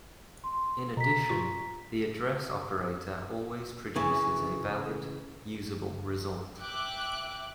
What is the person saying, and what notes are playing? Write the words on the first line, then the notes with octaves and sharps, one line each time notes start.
In addition, the address operator always produces a valid, usable result.
C6
B2 A#5 B6
A#2 F4 C#6
C#3 E3
E5 G5 D6 F#6